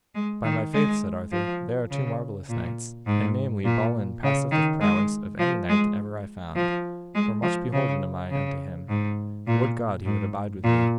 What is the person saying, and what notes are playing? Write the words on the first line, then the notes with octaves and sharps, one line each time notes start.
By my faith, said Arthur, they are two marvellous knights, and namely Balin passeth of prowess of any knight that ever I found, for much beholden am I unto him; would God he would abide with me.
G#3
D#3
G#3
F3
C#3
A#2
G#2
A#2
C#3
D#3
G#3
F3
G#3
F3
G#3
F3
C#3
C#3
G#2
A#2
G#2
A#2